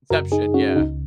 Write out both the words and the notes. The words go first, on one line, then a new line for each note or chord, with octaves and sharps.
Inception. Yeah.
F#2 C#3 F#4 A#4
D#4 G#4
C#4 F#4
C#2 C#3 D#4